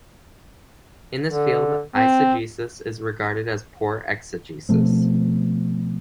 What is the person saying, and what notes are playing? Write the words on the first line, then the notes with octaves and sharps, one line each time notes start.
In this field, eisegesis is regarded as poor exegesis.
D3
C4
B2 F3 A3 C4